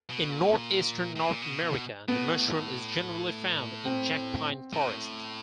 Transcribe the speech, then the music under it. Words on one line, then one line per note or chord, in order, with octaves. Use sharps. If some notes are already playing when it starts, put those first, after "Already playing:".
In northeastern North America, the mushroom is generally found in Jack Pine forests.
B2
A#2
A2
A#2
B2
B2
A2 B3
C4
A2